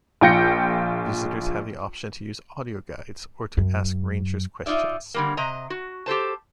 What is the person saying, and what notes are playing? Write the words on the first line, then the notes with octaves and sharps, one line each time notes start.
Visitors have the option to use audio guides or to ask Rangers questions.
A#1 F4 G5 G6 A#6 C#7
F#2
D#4 F4 D5 E5
D3 G3 A#3
C3 D#5 A#5
F#4
G4 A4 C5 A5